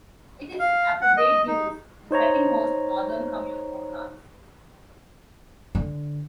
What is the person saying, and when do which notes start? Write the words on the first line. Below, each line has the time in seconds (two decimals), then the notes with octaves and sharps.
It is, after Bray-Dunes, the second most northern commune of France.
0.60 F5
1.01 F#5
1.17 D#5
1.48 D#4
2.11 D#4 C5 C#5 A#5
5.75 D3